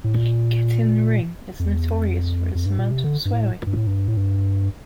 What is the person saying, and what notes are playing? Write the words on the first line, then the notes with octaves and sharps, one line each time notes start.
"Get in the Ring" is notorious for its amount of swearing.
A2
A#2
F2
E2
F2
F2
G2
A#2
C3
D3
G2
A2
G2
A2
G2
A2
G2